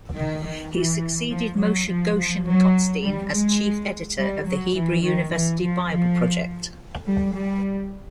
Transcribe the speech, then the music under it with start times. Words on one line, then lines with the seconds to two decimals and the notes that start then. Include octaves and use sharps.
He succeeded Moshe Goshen-Gottstein as chief editor of the Hebrew University Bible Project.
0.14 D#3
0.44 D#3
0.72 E3
1.30 F3
1.59 F#3
1.88 F3
2.17 F3
2.45 F#3
3.03 G3
3.32 G#3
4.18 G3
4.46 F#3
4.75 E3
5.04 D#3
5.33 E3
5.61 F3
5.91 F3
7.06 G3
7.34 G3